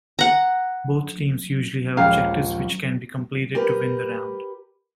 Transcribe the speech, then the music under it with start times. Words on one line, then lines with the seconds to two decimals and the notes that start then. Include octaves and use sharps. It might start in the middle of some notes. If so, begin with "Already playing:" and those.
Both teams usually have objectives which can be completed to win the round.
0.19 F#5 A#5
1.97 A#1 D#2 G#3 C#4 G#4 F5 G5 A#5
3.55 G4 A#4 B4